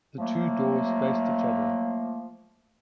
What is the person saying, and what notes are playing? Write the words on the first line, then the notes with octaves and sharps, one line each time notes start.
The two doors faced each other.
F3 F#3 A3 A#3